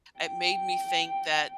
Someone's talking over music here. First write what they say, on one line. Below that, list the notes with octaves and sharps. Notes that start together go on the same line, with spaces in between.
It made me think that,
G5